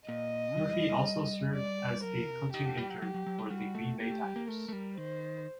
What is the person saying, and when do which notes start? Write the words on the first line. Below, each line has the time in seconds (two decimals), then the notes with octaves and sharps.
Murphy also served as a coaching intern for the Green Bay Packers.
0.08 A#2 D#5
0.57 G3
0.73 G3
0.89 G3
1.55 D5
2.04 F#3 A#4
2.28 C3
2.53 D#3 G4
2.65 D3
2.77 G3
2.90 F#3
3.02 F#3 G4
3.14 F#3
3.26 F#3
3.38 G3
3.50 G3 F#4
3.75 A3
4.00 A#3 G4
4.12 A3
4.24 G3
4.36 A#3
4.48 A3 A#4
4.68 A3
4.73 G3
4.97 D#3 C5